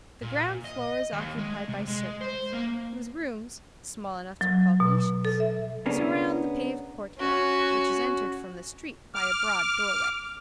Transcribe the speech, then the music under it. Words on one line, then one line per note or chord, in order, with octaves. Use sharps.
The ground floor is occupied by servants, whose rooms--small enough to be called niches--surround the paved court-yard, which is entered from the street by a broad doorway.
A#2
D#5
D#2
G#3
C3
G#3
C5
A#3
F#3
B2
A4
E5
C#3 A#3 B3 C#4 D4 A#4
C#4 F#4
D6 F6